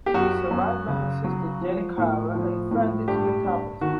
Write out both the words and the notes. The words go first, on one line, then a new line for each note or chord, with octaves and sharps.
She is survived by her sister Jenny Carr and friend Tina Thomas.
G4
F#2 F#4
F#2
C#3
F#3
F3
A2
F3
A2
G2 G4
G2
D#3 F#4